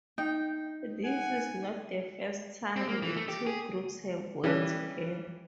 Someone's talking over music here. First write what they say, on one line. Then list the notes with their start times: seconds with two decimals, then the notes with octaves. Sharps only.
This is not the first time the two groups have worked together.
0.18 D#4 G5
1.05 F#5 G#5
2.76 C4
2.88 A#3
3.03 E3
3.16 A3
3.28 G4
3.47 G#4
4.44 E3 G3 C#4 B4